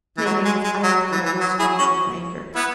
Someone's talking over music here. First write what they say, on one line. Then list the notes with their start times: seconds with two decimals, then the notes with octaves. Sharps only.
Nay, Higgins, I don't care one straw for your anger.
0.17 E3
0.25 F#3
0.45 G#3
0.64 G#3
0.83 F#3
1.12 E3
1.26 E3
1.40 F#3
1.59 E4 G#4
1.78 C#4 F#4
2.55 B3 E4